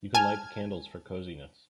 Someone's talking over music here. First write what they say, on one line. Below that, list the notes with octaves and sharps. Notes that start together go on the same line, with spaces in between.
You can light the candles for coziness.
G#5 A5 F6 G#6